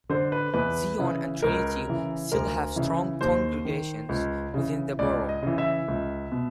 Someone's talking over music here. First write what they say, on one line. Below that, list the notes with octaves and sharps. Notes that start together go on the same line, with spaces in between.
Zion and Trinity still have strong congregations within the Borough.
D3 C5
B4
E2 B4
C#3 E3
C#2 A#4
C#3 E3
D2 A#4
C#3 E3
D#2 C5
D#3
C#2
C#3 E3
C#2 D5
D#5
C#3 E3
E5
C#2
B2